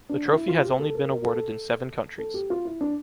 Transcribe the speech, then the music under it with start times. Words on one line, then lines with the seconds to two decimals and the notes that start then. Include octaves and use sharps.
The trophy has only been awarded in seven countries.
0.09 D4
0.33 E4
0.48 F4
0.64 G4
0.79 A4
0.95 A#4
1.10 A#4
1.26 A4
2.19 A4
2.34 G4
2.50 F4
2.65 E4
2.81 D4